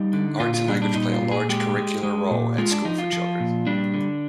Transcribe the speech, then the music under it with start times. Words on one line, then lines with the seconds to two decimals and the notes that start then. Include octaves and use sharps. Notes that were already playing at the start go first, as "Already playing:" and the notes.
Arts and language play a large curricular role at School for Children.
Already playing: G3 D#4
0.13 D3
0.40 A#2 F4
0.54 F4
0.68 G3 D4
0.82 D4
0.94 A#2 D#4
1.13 F4
1.22 A#2
1.31 G#4
1.49 G#3 G4
1.76 G#3
2.03 G#3
2.31 A#2
2.58 G#3 F4
2.71 D4
2.85 F3 D#4
2.98 F4
3.13 F3
3.40 A#2
3.67 G3 D4
3.94 D3